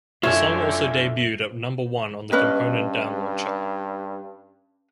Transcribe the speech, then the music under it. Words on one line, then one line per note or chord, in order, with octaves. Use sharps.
The song also debuted at number one on the component Download Chart.
F#2 D3 F4 C#5 E5 G#5
G2 C#4 B4 D#5